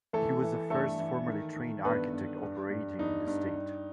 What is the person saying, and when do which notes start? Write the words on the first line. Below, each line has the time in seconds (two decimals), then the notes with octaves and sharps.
He was the first formally trained architect operating in the state.
0.13 E3 A3 A4
0.42 E3
0.70 G2 A3 A4
0.99 E3
1.28 D#3
1.56 D#3
1.85 G2 B3 B4
2.13 G2
2.42 G2
2.70 G2
2.98 G2 D#4
3.27 G2
3.56 G2